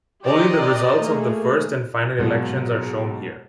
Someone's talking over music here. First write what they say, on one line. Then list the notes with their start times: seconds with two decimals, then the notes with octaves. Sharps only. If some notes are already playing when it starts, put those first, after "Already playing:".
Only the results of the first and final elections are shown here.
0.25 G4 C5 D5 D#5 A#5
1.02 A3 A#3 G#4
2.19 G#2 B2 F#3 A#3